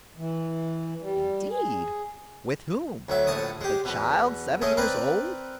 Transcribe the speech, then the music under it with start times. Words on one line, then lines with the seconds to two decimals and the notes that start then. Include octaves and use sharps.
"Indeed! with whom--with a child seven years old?"
0.17 E3
1.01 G3
1.49 G#4
3.09 D2 F#3 E5
3.27 A#1 A2 A5 C#6 D#6
3.61 G#3 G4
3.85 E2 B2
4.62 G#3 A3 C#4 D#5
4.77 C4 A#4 B4 D5